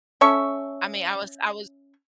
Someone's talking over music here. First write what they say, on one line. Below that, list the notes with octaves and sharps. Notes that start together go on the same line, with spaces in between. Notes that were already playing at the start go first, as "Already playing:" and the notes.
I mean, I was I was
C#4 A4 E5 C#6